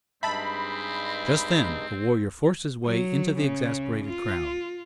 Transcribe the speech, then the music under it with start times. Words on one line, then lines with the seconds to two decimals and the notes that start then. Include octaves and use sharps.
Just then a warrior forced his way into the exasperated crowd.
0.23 G2 G#3 C4 D#4 E5 A5 B5
2.85 F#3
3.38 C#3
4.05 F4